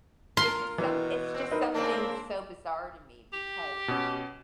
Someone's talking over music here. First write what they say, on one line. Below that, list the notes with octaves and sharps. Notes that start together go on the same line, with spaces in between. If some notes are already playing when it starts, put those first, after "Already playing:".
it's just some it's just something so bizarre to me because
F4 A#4 C6 F6
B2 E3
C4
D#4 A#4 B4
C#3 A#3 C4 D4
G4
B2 C#4